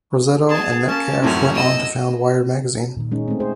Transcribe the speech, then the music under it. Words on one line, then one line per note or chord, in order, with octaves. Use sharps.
Rossetto and Metcalfe went on to found "Wired" magazine.
B3 G#4 A5
A#3 C#4 A5
F#2 A2 C3 F#4 F6
D#5 E6
A#2 D#3
G#3 C#4 D#4
A3 C4
G#4 C5